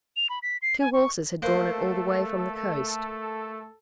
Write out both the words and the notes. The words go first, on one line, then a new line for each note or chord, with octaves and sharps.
Two horses had drawn it all the way from the coast.
F7
B5
B6
C7
G#5
C#6
A3 A#3 A4 B4 C5